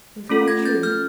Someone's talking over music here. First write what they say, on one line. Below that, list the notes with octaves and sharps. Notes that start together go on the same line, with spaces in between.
It was quite true.
A3 C#4 F4 A4
G#6 A#6
G6 A6
F6 G6